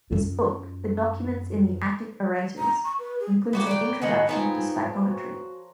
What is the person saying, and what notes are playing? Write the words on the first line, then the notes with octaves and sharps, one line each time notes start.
His book, "The Documents in the Attic Orators", includes an introduction to stichometry.
F#2 F4
A#5
C#6
B4
G#4
B3 F#4 G4 B4 C#5 A#5
D5 F#5 G5
D#3 F3 G#3 G#4 A#4 F#5 B5
F3 B3 C4 D#4 G#5
F#4